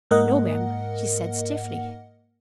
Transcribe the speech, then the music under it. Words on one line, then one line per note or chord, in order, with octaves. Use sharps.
"No, ma'm," she said stiffly.
G#2 A#3 A#4 D#5 F#5